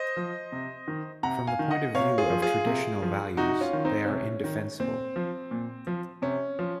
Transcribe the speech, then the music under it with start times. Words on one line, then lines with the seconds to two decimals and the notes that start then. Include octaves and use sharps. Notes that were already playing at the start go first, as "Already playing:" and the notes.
From the point of view of traditional values, they are indefensible.
Already playing: C5 D#5
0.17 F3
0.52 C3
0.88 D#3
1.23 C3 F#5 A#5
1.47 F5 G#5
1.59 D#3
1.71 D#5 F#5
1.95 C3 C#5 F5
2.18 F4 G#4
2.30 F3
2.42 F4 G#4
2.66 C3
3.02 F3
3.37 C3 D#4 F#4
3.61 C#4 F4
3.73 D#3
3.85 C4 D#4
4.08 C3 C#4
4.44 D#3
4.80 A#2 C4
5.16 F3
5.51 A#2
5.87 F3
6.22 C3 C#4
6.59 F3